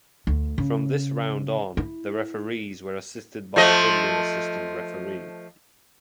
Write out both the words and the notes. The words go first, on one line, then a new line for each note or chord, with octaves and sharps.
From this round on the referees were assisted by video assistant referee.
D2
C#3
E4
F3 A3 D#5